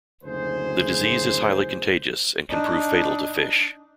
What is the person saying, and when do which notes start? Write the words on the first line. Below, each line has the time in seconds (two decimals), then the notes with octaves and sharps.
The disease is highly contagious and can prove fatal to fish.
0.24 F#1 D2 G#4 C5
2.50 D4 D#4